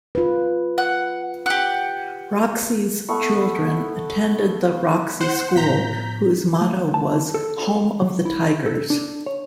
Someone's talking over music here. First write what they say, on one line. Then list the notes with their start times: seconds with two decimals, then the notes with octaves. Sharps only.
Roxie's children attended the Roxie School, whose motto was "Home of the Tigers".
0.15 F4 B4
0.78 F#5
1.46 G4 F#5
3.09 A3 B3 C#6
5.21 C5 F#5
5.56 A2 F3 B3 A#5 G6 B6
6.61 A3
6.94 A5
7.34 A4
8.02 F#3
8.25 E4
8.66 A4
8.90 D4
9.26 C#5